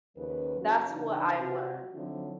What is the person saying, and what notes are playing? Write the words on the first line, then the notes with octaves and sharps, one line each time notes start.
That's what I've learned.
D#2 C#3 F3 A#4 B4
F#2 C#3 F#3 A#3 C#4 F#4
C#3 E3 D4 D#4
C3 C4 F4 F#4
D3 F3 F#3 C4 D#4 E4